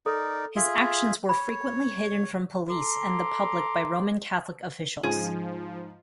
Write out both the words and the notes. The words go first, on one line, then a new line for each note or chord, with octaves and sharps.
His actions were frequently hidden from police and the public by Roman Catholic officials.
D#4 A4 A#4 D5
F4 G#4 E5
C#5 B5
A4 A#5 C6 D6
G#2 D3 F3 C#4 F4 G#4